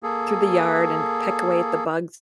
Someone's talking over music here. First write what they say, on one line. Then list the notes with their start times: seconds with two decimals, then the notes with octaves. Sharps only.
through the yard and peck away at the bugs
0.03 A#3 G#4 A4